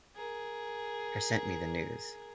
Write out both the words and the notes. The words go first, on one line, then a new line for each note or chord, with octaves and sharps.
Her sent me the news.
G#4 A#4